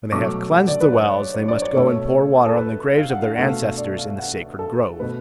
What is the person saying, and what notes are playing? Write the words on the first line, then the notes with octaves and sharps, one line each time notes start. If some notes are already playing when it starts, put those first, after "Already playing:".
When they have cleansed the wells, they must go and pour water on the graves of their ancestors in the sacred grove.
B2 F#3 A3 D6
F#5
D5
B4
C#5
C#5
D5
C#5
B2 A3
A4
B4
F5
F#5
F5
B2 A3 F#5
F5
D5
F5
F#5
A4
B2 A3 B4